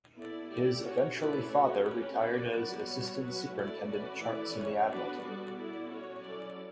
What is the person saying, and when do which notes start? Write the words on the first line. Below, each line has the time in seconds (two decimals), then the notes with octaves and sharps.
His eventually father retired as Assistant Superintendent Charts in the Admiralty.
0.15 B3 E4 A4 D5
0.49 A3 E4 G4 D5
0.82 C#4 F#4 C#5
1.16 A3 C#4 E4 B4 D5
1.50 A3 C#4 F#4 A4 C#5
1.83 C#4 G4 B4
2.17 B3 F#4 B4 D5
2.51 F#3 B3 F#4 B4 D5
2.85 G3 B3 F#4 C#5
3.18 F#3 C#4 F#4 B4
3.52 A3 E4 A4 D5
3.86 C#4 F#4 B4 D5
4.19 E3 A3 E4 B4 D5
4.53 C#4 G4 C#5
4.88 B3 D4 F#4 B4 D5
5.21 G3 B3 F#4 A4 D5
5.55 B3 E4 A4 D5
5.88 C#4 F#4 C#5
6.22 F#3 C#4 E4 A4 D5